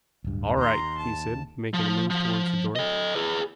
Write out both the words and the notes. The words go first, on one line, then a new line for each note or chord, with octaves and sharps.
"All right," he said, making a move towards the door.
D1 G2
D#2 A#5 C6
A5
F3
F3
A4 D#5
G#4 B4